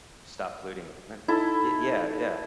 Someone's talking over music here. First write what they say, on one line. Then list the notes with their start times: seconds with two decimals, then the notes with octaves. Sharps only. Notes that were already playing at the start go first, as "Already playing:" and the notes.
stop polluting the planet it Yeah, yeah.
1.28 D#4 E4 A4